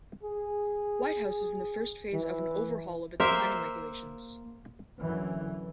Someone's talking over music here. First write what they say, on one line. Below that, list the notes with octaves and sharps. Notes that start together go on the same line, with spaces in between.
Whitehouse is in the first phase of an overhaul of its planning regulations.
G#4
E3
A#3 C5 E5
F#2 D3 E3